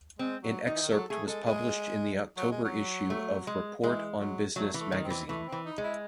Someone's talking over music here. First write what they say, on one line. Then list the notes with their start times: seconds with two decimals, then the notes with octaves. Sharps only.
An excerpt was published in the October issue of "Report on Business Magazine".
0.19 G#3 C4
0.43 F#3
0.67 D#3 D#4
0.75 E3
0.82 D#3
0.92 F#3 A4
1.10 A3 G#4
1.28 G#3 A4
1.46 G#3 G#4
2.37 F#3
2.51 G#3
2.65 F#3
3.10 A3
3.47 G#3
3.83 E3 G#3
4.19 F#3
4.56 F#3 A3
4.74 E3
4.80 A3
4.92 D#3
5.04 C4
5.10 E3
5.29 E3 A3
5.47 C4
5.52 E3
5.65 D#4
5.78 G#3
5.83 E4